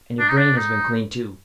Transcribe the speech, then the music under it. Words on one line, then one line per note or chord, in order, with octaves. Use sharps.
And your brain has been cleaned, too....
D4
D#4
D4
D#4